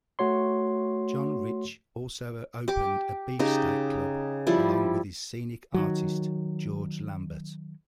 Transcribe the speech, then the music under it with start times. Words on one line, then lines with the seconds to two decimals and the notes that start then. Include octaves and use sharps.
John Rich also opened a Beefsteak Club along with his scenic artist, George Lambert.
0.19 A3 F#4 C#5 C6
2.68 G4 D6
3.39 C#3 D#4 G4
4.47 F3 G3 E4
5.74 D#3 F#3